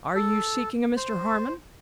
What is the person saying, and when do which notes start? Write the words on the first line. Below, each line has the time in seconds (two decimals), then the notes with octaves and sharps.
'Are you seeking a Mr Harmon?'
0.15 A4
0.97 C5